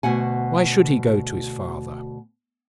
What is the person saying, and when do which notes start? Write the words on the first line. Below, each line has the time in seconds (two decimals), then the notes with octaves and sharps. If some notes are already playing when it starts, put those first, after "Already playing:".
Why should he go to his father?
0.03 D2 B2 F#4 F#5 G#5